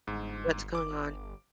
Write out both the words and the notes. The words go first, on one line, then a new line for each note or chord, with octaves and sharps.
What's going on?
G1 G#2
D6